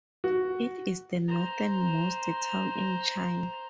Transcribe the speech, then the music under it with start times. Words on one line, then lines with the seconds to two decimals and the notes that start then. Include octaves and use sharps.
It is the northernmost town in China.
0.24 F#4
1.28 C5 A#5